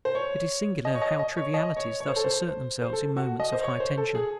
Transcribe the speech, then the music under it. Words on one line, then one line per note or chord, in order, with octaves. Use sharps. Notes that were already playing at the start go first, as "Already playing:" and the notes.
It is singular how trivialities thus assert themselves in moments of high tension.
C5
C#5
D#5
C#5
D#5
D#5
C#5
D#5
C#5
C#5
C5
A4
C5
C5
A4
F#4
D#5
C5
C#5
C5
A4
G#4